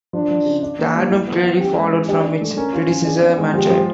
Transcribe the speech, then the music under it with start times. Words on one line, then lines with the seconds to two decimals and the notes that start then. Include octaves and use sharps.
The album clearly followed from its predecessor "Man-Child".
0.13 F3 D4
0.31 F3
0.46 C#3
0.63 D4
0.79 A#3
0.95 G3
1.10 E4
1.27 B3
1.44 E4
1.59 C#4 G4
1.76 G#3
1.93 E3
2.08 D4 G4
2.25 D4
2.41 A3
2.57 C#4 A#4
2.73 F4
2.90 C#4
3.05 D4 G#4
3.22 B3
3.38 G#3
3.54 F3 G4
3.70 F3